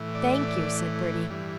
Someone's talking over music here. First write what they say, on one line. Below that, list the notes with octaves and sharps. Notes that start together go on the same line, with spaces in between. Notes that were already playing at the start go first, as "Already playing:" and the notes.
"Thank you," said Bertie.
Already playing: A2 E3
D5
G2 E3